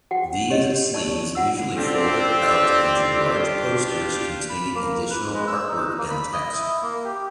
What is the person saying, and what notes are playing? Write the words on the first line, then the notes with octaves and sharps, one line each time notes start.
These sleeves usually folded out into large posters containing additional artwork and text.
F#4 F#5 G5
G4 C#5 D#5
D5 A5 C#6
F4 F#5 E6
C4 D4 F4 G4 A4 D5
B5
A#3
B4
G#3
E6
D#4
A#3
B5
D#5
E4
A#3
G4